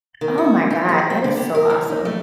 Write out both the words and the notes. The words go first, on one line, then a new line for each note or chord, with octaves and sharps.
Oh my God, that is so awesome.
D#3
F#4
D#4
G#4
C4
D3
B3
A#4
E3
D#4
A3